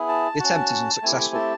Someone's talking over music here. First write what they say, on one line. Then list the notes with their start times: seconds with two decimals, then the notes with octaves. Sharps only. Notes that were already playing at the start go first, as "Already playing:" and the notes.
The attempt is unsuccessful.
Already playing: B3 E4 G#4
0.09 A5
0.40 C#4 F#4
1.02 A3 C4 E4 G4 G#5
1.35 A5